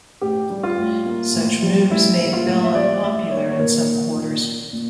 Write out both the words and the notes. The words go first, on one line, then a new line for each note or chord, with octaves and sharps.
Such moves made Bell unpopular in some quarters.
A2 G4
G3
F4
A2
A#3
A2
G3
A2 E4
A#3
F4
A2
E5
G3 D5
A2 E5
A#3 C#5
C#5
A#2 A#4
F3
A#2
A#3
A#2